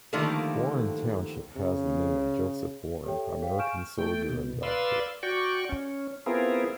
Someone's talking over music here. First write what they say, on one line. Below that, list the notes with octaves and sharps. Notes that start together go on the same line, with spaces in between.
Warren Township has the name of Joseph Warren, American soldier and doctor.
D3 D#3 F3 G3 A3 A#3
C#3
G4 A4 C#5 E5 G5
G#4 F5 G5
G#5 C#6 F6 G6 D7 E7
A3 G5
B2
B4 D5 F5 C6 E6
F#4 D5 G5 C#6
C#4
B3 C4 E4 F4 G#4 A#4